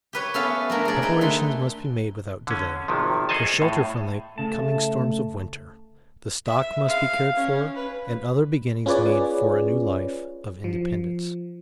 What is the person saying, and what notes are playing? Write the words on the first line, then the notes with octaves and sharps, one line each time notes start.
Preparations must be made without delay for shelter from the coming storms of winter; the stock must be cared for, and other beginnings made for a new life of independence.
G4 B4 C#5
B3 C#4 A4 E5 F5
F#3 A3 A#3 D4
G#4 D5
C4 D#4 B4
D3 A3 C6
D3 C#4
G#1 C3 D#3 F3
G#4 A4 C5 D#5 G#5 A5
A2
C#3 A3 A5
E5
F5
C#4
B4
C#4 F4 G#4 B4 C#5 D5
F3